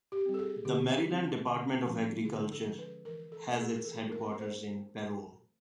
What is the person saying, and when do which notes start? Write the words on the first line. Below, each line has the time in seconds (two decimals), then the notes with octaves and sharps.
The Maryland Department of Agriculture has its headquarters in Parole.
0.12 G4
0.26 G3 C4
0.34 A4
0.39 G#4
0.65 D3 G4
1.06 G3 C4
1.46 D3
1.86 F3 G#3 C#4
2.25 D3 G#4
2.52 A4
2.65 F3 G#3 C#4
2.79 B4
3.05 E3 A#4
3.32 A4
3.45 A3 C4
3.59 G#4
3.75 A#4
3.85 E3 A4
4.12 A#4
4.25 C4
4.30 A3
4.39 C5